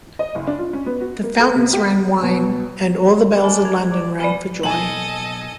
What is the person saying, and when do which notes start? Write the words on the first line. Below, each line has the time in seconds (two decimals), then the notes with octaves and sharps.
The fountains ran wine and all the bells of London rang for joy.
0.19 D#5
0.35 F#1
0.47 D4
0.59 F4
0.73 C#4
0.86 B3
1.01 F#4
1.24 A#3
1.40 A4
1.55 C3
1.73 G4
2.23 B2
3.32 D4
3.44 G#5
3.65 G#6
3.89 D5
4.20 B3 D5 G#5
4.63 B2 F#3 A#3 A4 D#5 G#5 F#7